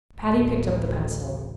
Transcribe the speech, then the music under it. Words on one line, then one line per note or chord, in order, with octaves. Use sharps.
Patty picked up the pencil.
A1 D2